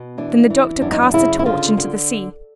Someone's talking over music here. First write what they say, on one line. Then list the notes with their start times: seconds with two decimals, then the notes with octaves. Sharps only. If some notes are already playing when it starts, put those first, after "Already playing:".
Then the doctor cast the torch into the sea.
Already playing: B2
0.18 E3 D4
0.50 E3
0.81 F#2 D4
0.91 D#4
1.02 D4
1.14 C#3 E4
1.39 E4
1.45 D3 F4
1.77 D3